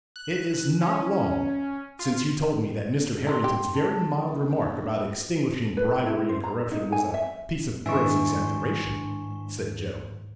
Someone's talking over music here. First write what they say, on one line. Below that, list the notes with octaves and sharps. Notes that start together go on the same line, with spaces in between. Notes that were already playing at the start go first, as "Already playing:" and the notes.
"It is not long since you told me that Mr. Harrington's very mild remark about extinguishing bribery and corruption was a piece of gross exaggeration," said Joe.
F#6
C#4
F4
F1 D4 A#4 C6
D#1 G4
A5
A#1 D#4
B4
E4
C5
A#5
D#4
G#5
E5
D#2 G#2 E3 D4 E5 G#5 C6 C#6